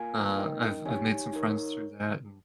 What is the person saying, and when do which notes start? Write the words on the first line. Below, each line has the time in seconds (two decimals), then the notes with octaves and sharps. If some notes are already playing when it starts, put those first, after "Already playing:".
Uh, I've I've made some friends through that and
Already playing: A#3 F4 A#4 F5 G#5
0.38 D#4 A#4 D#5 G5
0.85 D#4 G4 C#5 G#5
1.33 D#4 A#4 C#5